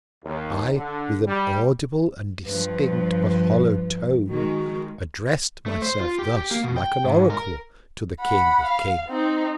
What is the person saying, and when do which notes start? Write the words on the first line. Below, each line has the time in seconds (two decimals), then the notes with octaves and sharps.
I, with an audible and distinct, but hollow Tone, address'd my self thus, like an Oracle, to the King of Kings.
0.24 D#2
0.76 D3
1.26 G3
2.46 G2 F3 B4
4.29 D#3 G#3 F#4
5.66 A3
5.82 C5
6.00 F4
6.19 G4
6.37 G4
6.51 A#3
6.64 B2
6.76 G5
7.04 G#2
7.30 A#4
8.21 F#5 B5
8.65 F5
9.09 C4 D#4